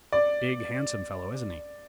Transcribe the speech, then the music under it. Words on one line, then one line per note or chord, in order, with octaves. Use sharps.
Big, handsome fellow, isn't he?
D5